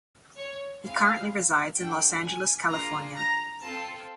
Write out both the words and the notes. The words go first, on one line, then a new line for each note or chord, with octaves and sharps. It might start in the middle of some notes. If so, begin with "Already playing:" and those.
He currently resides in Los Angeles, California.
C#5
C4 E4 G#4 F5
D4 F#4 A4 G5
G#5
A#3 D4 F4 G#4 A#5
A#5
C4 F4 A4 A5